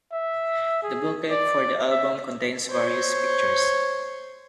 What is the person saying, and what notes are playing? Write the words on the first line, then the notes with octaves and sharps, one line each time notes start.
The booklet for the album contains various pictures.
E5
G#4
D5
E5
C5 C#5